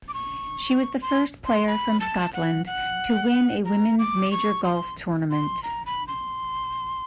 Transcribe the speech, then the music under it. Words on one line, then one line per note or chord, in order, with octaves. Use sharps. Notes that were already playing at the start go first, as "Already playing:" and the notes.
She was the first player from Scotland to win a women's major golf tournament.
D6
C#6
C6
C6
B5
A5
F#5
F#5
A#5
D6
C#6
C6
C6
A#5
B5
C6